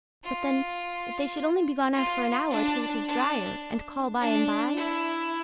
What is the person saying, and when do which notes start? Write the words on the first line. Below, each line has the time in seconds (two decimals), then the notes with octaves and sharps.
"But then, if they should only be gone out for an hour till it is dryer, and call by and by?"
0.24 F4
1.94 F4
2.50 D4
3.07 D4
4.20 D4
4.76 E4